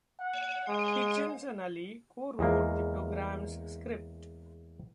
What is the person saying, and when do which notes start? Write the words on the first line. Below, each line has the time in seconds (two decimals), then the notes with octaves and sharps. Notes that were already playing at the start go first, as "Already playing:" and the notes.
Hitchens and Ali co-wrote the programme's script.
0.20 F#5
0.68 G#3
2.39 E2 G#3 A#3